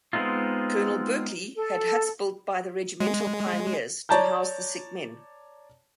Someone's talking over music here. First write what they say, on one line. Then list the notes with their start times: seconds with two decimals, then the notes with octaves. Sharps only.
Colonel Berkeley had huts built by the regimental pioneers to house the sick men.
0.13 G#3 B3 C4 D#4 F4
1.56 A4
3.00 G#3
4.09 C#5 D5 A5 A#5 G6